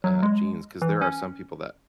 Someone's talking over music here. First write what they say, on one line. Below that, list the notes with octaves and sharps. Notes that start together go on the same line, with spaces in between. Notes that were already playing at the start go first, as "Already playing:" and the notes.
uh, genes 'cause there are some people that
F#3
G#3
E3
C#4